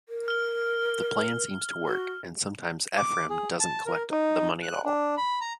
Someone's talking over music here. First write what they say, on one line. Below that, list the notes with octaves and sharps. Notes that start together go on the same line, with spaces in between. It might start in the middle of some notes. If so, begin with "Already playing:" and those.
The plan seems to work, and sometimes Ephram doesn't collect the money at all.
A#4
F6 G7
F#4
D6
G#4
A5
A#4
D#4
F#6
D4
B5
A#5